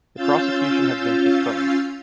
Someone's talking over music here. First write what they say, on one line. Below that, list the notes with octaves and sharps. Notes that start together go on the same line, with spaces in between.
The prosecution has been postponed.
C#4 F4 F5 E6 G6 A6